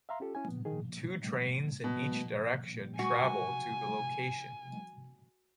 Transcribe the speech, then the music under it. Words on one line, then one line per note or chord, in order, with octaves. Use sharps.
Two trains in each direction travel to the location.
E5 F5 A#5 C6
C#4 F4 G4 A4
C#4 E4 G#5
B3
D#3 G#4
B2
F#4 G#5